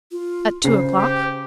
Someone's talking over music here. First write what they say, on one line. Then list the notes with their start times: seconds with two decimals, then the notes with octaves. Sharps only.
"At two o'clock."
0.11 F4
0.64 C#3 C5 C7
0.98 G4